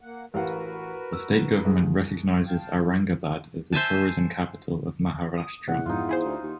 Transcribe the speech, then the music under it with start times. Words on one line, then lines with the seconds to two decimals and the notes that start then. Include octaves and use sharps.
The state government recognises Aurangabad as the "Tourism Capital of Maharashtra".
0.01 A#3 F#5
0.34 A1 F#4 A#4 B4 F5 F#5
1.13 E6
1.65 C2 G#4
2.47 F5 G5 A5
3.72 C5 E5 G#5 A5
5.38 D#6
5.68 E2 C3 F#5
5.86 F2 G#2 D#4 F4
6.09 E4 G#4 C5
6.25 D2
6.42 D#2